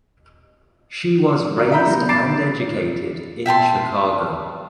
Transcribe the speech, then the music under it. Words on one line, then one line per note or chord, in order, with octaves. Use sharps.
She was raised and educated in Chicago.
F#4 A#4 D5
E5 A#5 B5 G6
F#3 G3 B3
B5 D6 A6 C7 D7 E7
E5 G5 A5 C6